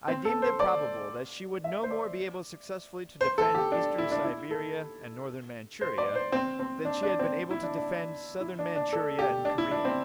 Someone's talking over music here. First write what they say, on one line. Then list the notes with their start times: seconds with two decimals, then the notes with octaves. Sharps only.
I deemed it probable that she would no more be able successfully to defend Eastern Siberia and Northern Manchuria than she had been able to defend Southern Manchuria and Korea.
0.08 C4
0.25 A4
0.42 C5
0.60 D5
1.64 E5
1.83 C5
1.91 D5
3.21 C5
3.38 A4
3.54 G4
3.72 D4
3.98 E4
4.11 D4
4.25 E4
4.51 A4
5.81 C5
5.98 D5
6.15 C5
6.32 C4
6.59 C4
6.85 D4
7.03 D4
7.19 C4
7.51 E4
7.63 D4
7.77 D4
8.41 E4
8.59 D4
8.76 D4
8.93 A4
9.19 G4
9.45 D4
9.58 E4
9.71 D4
9.85 C4